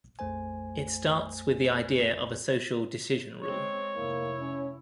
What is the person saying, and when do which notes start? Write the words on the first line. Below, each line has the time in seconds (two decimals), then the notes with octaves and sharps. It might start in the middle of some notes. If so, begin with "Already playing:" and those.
It starts with the idea of a social decision rule.
0.19 A#1 F2 A3 C5 G#5
3.43 G#3 C4 C#5
3.95 F1 A#3 E4
4.40 C#4